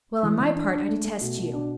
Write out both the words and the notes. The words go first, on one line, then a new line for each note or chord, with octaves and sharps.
"Well, on my part, I detest you."
E3
E3
D4
D4
A3
A3
B2
B2
D4